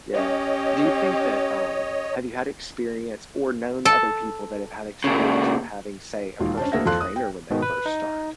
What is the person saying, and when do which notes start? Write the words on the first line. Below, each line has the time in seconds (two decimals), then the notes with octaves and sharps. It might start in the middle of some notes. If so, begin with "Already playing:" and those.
yeah. Do you think that, um, have you had experience or known other people that have had experience with having, say, a personal trainer when they first start?
0.13 C#4 G4 C#5 D#5
3.85 A4
5.04 A#2 C#3
6.40 E1 D#2 F4
6.57 C#4 D4 C5 A5
6.72 D2 A#3 G#4 E5 F#5 A#6
6.86 F2 A4 F5 C6 F#6
7.00 D#6
7.16 G5
7.50 G#2 B2 D#3
7.62 B4
7.86 D#4